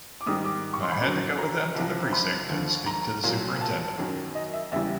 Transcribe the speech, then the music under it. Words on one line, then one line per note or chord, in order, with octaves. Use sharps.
I had to go with them to the precinct and speak to the superintendent.
D6
G#2 D#3 G3 D#6
D6
C#6
C6
B5
F#2 D3 F#3
A#5
C2 C3 F3
B5
D#2 D3 F3
A#5
C2 A#2 F#3
A5
F#2 D#3 F#3
D#5
E5
E2 C#3 E3 G3 E5